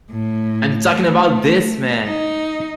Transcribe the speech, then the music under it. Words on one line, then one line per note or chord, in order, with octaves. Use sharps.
I'm talking about this man.
A2
A3
D#4